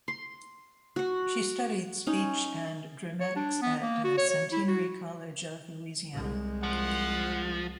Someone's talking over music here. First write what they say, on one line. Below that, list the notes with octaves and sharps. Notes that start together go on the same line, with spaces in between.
She studied speech and dramatics at Centenary College of Louisiana.
C6
F#4 F#5
C#4 D#4
C#5
D4
B3
A#3
F#4
C#5
C#5
E4
F#4
C2 G#3
F3 F#5